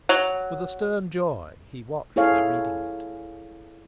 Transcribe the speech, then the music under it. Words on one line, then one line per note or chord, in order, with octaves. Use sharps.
With a stern joy he watched her reading it.
F#3
E4 G#4 A4 C#5 F5